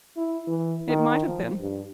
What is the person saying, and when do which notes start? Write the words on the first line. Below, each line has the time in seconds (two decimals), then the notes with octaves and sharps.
It might have been.'
0.17 E4
0.47 E3
0.89 D#3
1.26 F3
1.60 G2